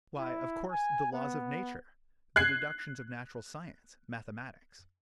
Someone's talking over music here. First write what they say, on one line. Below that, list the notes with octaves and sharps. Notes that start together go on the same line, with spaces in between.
Why, of course, the laws of nature, the deductions of natural science, mathematics.
E4
G#5
B3
F#6 G#6 C7